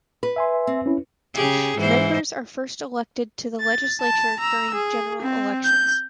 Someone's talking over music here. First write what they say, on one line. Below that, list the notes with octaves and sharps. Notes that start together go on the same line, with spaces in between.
Members are first elected to the legislature during general elections.
B4
E5 G#5 C6
C4
C#4 E4
C#3 G4 G#4
G#2 E3 C5
A6
A5
A#5 E6
G#4
C4
G6